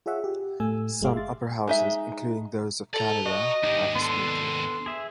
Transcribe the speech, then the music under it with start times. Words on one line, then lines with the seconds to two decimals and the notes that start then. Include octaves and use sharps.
Some upper houses, including those of Canada, have a speaker.
0.06 F4 G#4 C#5 E5 F#5
0.24 G4
0.60 A2 A3 G#5 E6
1.01 G1 G#3 G4 F5 D6
1.13 E5 F5 C6 A6
1.68 G#3 D#4 E5
2.94 A4 D5 A#5
3.26 F#4 D#5
3.63 D#2 G#2 D#4 G4
3.96 B3 D4 A4 C6
4.86 G#4 E5